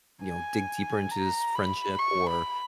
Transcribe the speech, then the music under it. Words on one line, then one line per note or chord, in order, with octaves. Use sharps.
you know, dig deeper into this friendship or,
G#5
A#5
B5
C#6
B5